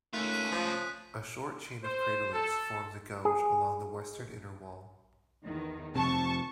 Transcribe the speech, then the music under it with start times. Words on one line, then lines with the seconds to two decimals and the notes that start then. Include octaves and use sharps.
A short chain of craterlets forms a gouge along the western inner wall.
0.13 D#3 A3 C#4 F4 F#6 B6 D#7
0.29 F#6 B6 D#7
0.52 F3 D#6
1.84 C5
2.33 A4
3.25 G#4
5.45 E2 D#3
5.96 F2 C3 A5 C#6